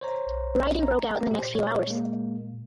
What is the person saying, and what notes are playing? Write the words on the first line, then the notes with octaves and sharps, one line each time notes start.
Rioting broke out in the next few hours.
C5 C#5 A#5
B1
A#5
A#2 G4 C5
C#5
G#3 A#3